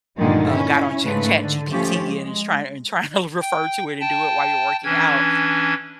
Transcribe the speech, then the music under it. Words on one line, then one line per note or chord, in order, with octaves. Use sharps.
uh, got on Chat ChatGPT and is trying and tryna refer to it and do it while you're working out,
G2 A#2 D3 D#3 F#3 G#3
C#4 E4
G#2 C#3 G#3 A3 B4
D3
F3 A3 C#4 G4
G#3
G5
G5 A5
E3 C#4 D4 G#6